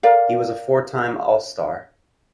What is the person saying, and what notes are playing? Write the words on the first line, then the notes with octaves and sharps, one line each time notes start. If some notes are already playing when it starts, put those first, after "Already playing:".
He was a four-time All-Star.
A#4 D5 F5